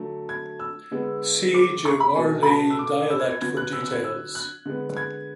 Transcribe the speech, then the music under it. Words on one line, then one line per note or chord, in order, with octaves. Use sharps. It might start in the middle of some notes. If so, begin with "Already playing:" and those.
See Jiwarli dialect for details.
Already playing: D3 F#3 A3
G#6
E6
D3 G#3 B3
D6
C#6
B5
B2 A3 G#5
B5
A5
E6
D6
E6
G#6
G#6
D3 F#3 B3 G#6
F#6
E6
E6
G#6
E6
F#6
D3 G#3 B3
G#6